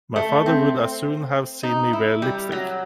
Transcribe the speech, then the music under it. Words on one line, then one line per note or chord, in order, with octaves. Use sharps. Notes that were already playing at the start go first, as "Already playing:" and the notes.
My father would as soon have seen me wear lipstick.
A3
C4
D#4
E4
G3
F#3